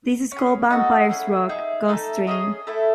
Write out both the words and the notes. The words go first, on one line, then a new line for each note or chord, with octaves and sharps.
This is called Vampires Rock: Ghost Train!
C#4 G#4
D#4 F#4 A4 F#5
A3 C#4 E4 G#4
D#4 G#4 E5
A3 D#4 A4
C#4 E4 G#4 D#5
A3 E4 A4